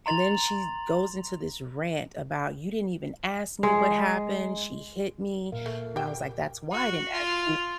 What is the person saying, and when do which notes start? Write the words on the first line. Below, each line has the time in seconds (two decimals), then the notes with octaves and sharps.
And then she goes into this rant about, "You didn't even ask me what happened, she hit me." And I was like, "That's why I didn't ask you"
0.06 A#5 C6 A6 F7 F#7
3.63 G#3
5.52 A#2 A#4 F5
5.66 A3
5.96 G4 G5
6.72 F#4
7.12 F4